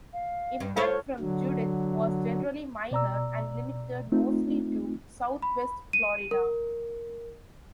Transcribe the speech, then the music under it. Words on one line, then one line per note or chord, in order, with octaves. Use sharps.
Impact from Judith was generally minor and limited mostly to Southwest Florida.
F5
G2
F4 A4 C5 C#5
D3 F#3
B2 D5 A#5 E6
A3 C4 D#4 F4
B5
D#7
A#4